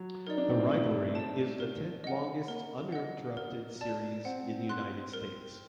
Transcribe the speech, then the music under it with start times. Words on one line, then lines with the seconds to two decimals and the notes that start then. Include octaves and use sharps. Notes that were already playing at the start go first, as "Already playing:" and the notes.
The rivalry is the tenth longest uninterrupted series in the United States.
Already playing: F#3
0.27 D#4 A#4 D5
0.38 D4
0.50 C4
0.60 A#3
0.71 A3 A4
1.15 D5 A5
1.60 A#4
2.04 D#5 F#5
2.48 A#3 A#4
2.92 D#5 F#5
3.37 A#4
3.81 D5 A5
4.25 C4 F#5
4.69 C6 F#6
5.14 A#4